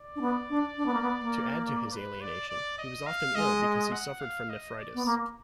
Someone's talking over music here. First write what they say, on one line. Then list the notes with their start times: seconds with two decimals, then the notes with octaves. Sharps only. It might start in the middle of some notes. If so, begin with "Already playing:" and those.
To add to his alienation, he was often ill because he suffered from nephritis.
Already playing: D5
0.16 D4
0.21 B3
0.50 D4
0.78 D4
0.86 B3
0.94 A#3
1.02 B3
1.21 A#3
1.64 D5
1.92 B4
2.21 D5
2.49 D5
2.78 D#5
3.06 F5
3.35 G#3 D#5
3.63 D#5
3.92 F#5
4.20 F5
4.49 D#5
4.78 D5
4.94 B3
5.06 A#3